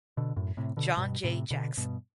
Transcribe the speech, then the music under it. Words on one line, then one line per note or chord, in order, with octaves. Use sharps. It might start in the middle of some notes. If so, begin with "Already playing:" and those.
John Jay Jackson.
B2 D3
F#2 A2
A2 C3
B2 D3
G2 B2
A2 C3
B2 D3
G2 B2